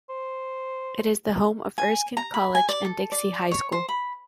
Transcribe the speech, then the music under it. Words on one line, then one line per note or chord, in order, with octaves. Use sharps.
It is the home of Erskine College and Dixie High School.
C5
G#5
A#5
B5
G#5
D5
A4
D5
C#5
C5
B5